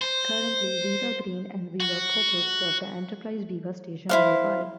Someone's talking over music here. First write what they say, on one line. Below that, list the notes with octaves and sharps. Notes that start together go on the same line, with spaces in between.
Currently, Viva Green and Viva Purple serve the Enterprise vivastation nearby.
C5
F#4
E4 C5 F5